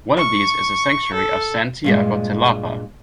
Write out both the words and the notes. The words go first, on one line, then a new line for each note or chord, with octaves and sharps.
One of these is the Sanctuary of Santiago Tilapa.
C#6
A4
G2 A#2 G#3